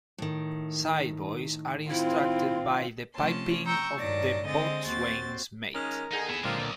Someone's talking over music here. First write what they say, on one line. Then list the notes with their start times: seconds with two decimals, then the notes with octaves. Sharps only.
Sideboys are instructed by the piping of the Boatswain's Mate.
0.18 A2 D#3
1.90 C4 E4 F4
3.16 C3 F3 A3 C#4 A5 C6
3.66 G5 A#5 C#6 E6 G6
3.97 G2 D#3 F#3 D5 A5 A#6
4.45 D3 G#3 C4 D#5 A6 A#6
4.87 D#2 C4 F#4 C6 A6
5.74 D#3 G#3 C#4 A#4
6.13 D#2 D3 D#4 G#4
6.30 B3 E4
6.44 F#2 A#2 D3 G#3 C4 F4
6.59 B1